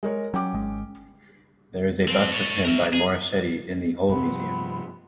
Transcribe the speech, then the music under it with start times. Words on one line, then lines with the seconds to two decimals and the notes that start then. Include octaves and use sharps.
There is a bust of him by Morochetti in the Hull museum.
0.03 G#3 A#4 C#5
0.34 F#3 C#4 G5 D6
0.53 G#1 G#3
2.08 F3 C4
2.32 A4 C#5
2.65 A#4 E5
2.93 G#4
4.09 G2 C3 F3 B3 C4 B5